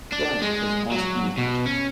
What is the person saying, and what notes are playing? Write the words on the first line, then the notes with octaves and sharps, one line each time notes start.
Brad has asked me out.
D4
G#3
F#3
B2
C#4